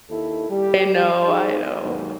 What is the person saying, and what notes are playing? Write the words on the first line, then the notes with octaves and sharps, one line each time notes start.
I know, I know.
D#2 E4 A4
G3 G4
D#4 F#4 G#4
D#2 G#2 B2 F#3